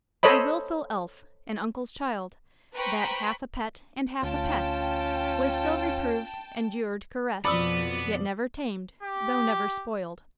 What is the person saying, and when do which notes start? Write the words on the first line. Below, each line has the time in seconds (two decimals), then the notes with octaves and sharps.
"A willful elf--an uncle's child, That half a pet and half a pest, Was still reproved, endured, caressed, Yet never tamed, though never spoiled."
0.23 A4 C5 C#5 D#5 B5
2.74 B4 C5 G5 A#5 B5 C#6
4.23 D2 C#4 F4 G5 A5
7.45 F2 B2 F3 B3 D5 B5 D#6 E6
9.03 G4